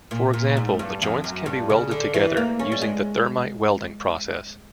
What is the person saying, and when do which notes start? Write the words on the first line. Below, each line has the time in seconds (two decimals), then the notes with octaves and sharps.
For example, the joints can be welded together using the thermite welding process.
0.11 A#2
0.33 A#2
0.57 G#2
0.79 G2
1.02 F2
1.24 F#2
1.46 G2
1.70 C#3
1.91 D3
2.14 E3
2.37 A#3
2.59 C#4
2.72 G3
2.81 G#3